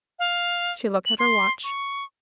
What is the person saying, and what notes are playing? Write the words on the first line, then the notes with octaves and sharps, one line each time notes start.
She looked at her watch.
F5
F#7
C6
C#6